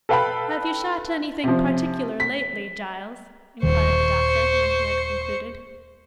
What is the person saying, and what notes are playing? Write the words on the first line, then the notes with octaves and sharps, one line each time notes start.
'Have you shot anything particular, lately, Giles?' inquired the doctor, when he had concluded.
A4 B4 F5 G5 A5 B5
C3 F3
B6
D#1 D#3 C5 C#6